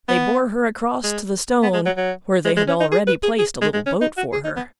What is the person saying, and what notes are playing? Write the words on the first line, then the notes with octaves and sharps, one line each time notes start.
They bore her across to the stone where they had already placed a little boat for her.
B3
G#3
B3
G#3
F#3
F#3
G#3
G#3
C#4
D#4
G#4
B4
G#4
G#4
G#3
G#3
C#4
D#4
F#4
G#4
D#4
B3